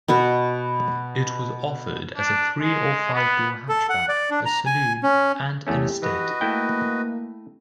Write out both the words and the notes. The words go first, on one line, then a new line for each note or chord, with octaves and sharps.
It was offered as a three or five-door hatchback, a saloon, and an estate.
B2 B3 F#4
D4
G#3
B3
A4
F#5
D5
D4
A#5
G#5
C#4
E2 A3 C#4 E4 G4
E3 F#4 B4 D#5
A3 A#3 E4 G5